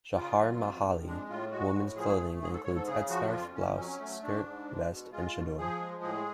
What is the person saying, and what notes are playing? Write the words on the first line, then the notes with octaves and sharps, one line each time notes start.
Chaharmahali women's clothing includes head scarf, blouse, skirt, vest and Chador.
C#3 F4
F#3
F2
F2
G#3 D4
A2 F4
G#3 F#4
A2
F3 G#4
A3
G#2 G#4
A4
G#2 C#5
A4
C#3 G#4
F3 F#4
D4
F2 F4
F2 C#4
F#3 C#4
A3
G#2 D4
G#2
G#3
B2
G#3 F4
B2
F3 G#4
G#3
A2 G#4